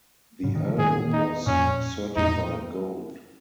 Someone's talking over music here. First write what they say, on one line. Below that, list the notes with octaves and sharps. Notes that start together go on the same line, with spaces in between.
The album was certified gold.
G#2 C#3
A#2 D#3
C#3 F3
A#2 D#3 G#4
D#4
F2 A#2 C#4
F2 A#2 D#4
F2 A#2